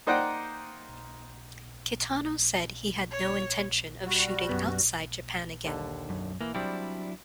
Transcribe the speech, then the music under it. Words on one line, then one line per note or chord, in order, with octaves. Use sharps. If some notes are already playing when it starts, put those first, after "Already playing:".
Kitano said he had no intention of shooting outside Japan again.
A#3 D#4 C5 D5 F#5 G5
C#5
G3 F#4
F#2 B3
D#2 D3
F#2
E3 A#3
F#3 G3 C4 D4 E4